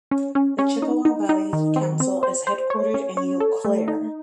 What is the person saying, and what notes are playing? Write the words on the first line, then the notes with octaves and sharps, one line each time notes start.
The Chippewa Valley Council is headquartered in Eau Claire.
C#4
C#4
C#4
D#4
D#4
D#4
D#3
C4
C4
C5
C5
C#5
C#4
C#5
A4
A3
D#4